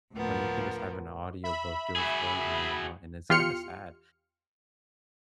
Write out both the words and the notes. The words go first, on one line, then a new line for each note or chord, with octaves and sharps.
when you can just have an audiobook do it for you, you know, and it's, kinda, sad
D2 A2 F3 A#3 B3
E5 B5
F#4 G#4
E2 F4 G4 C6 F6 C#7